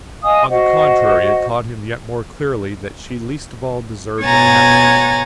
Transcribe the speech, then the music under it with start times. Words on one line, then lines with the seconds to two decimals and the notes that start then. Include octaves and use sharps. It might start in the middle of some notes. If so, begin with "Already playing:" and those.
On the contrary it taught him yet more clearly that she least of all deserved unhappiness.
0.23 D#5 F5 G#5 D#6
0.49 F#4 C5 D#5 F#5
4.22 B2 C#5 F#5 G#5 A#5 A6